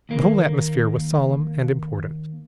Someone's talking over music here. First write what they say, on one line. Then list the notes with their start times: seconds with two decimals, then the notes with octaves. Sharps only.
The whole atmosphere was solemn and important.
0.09 D#2 A#3